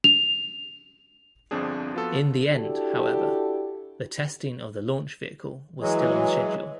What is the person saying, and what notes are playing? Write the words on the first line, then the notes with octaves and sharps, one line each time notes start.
In the end however the testing of the launch vehicle was still on schedule.
F7
G1 F2 F3 C4 D4 G#4
F3 B3 F4 F#4 A4
D4 E4 F#4 G4 A4
E3 F#3 G#3